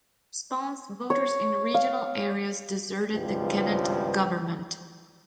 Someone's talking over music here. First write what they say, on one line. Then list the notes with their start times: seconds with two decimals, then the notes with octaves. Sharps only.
In response, voters in regional areas deserted the Kennett government.
1.10 C#5
1.74 F5
3.14 G#1 C#2 G2 F3 B3 G4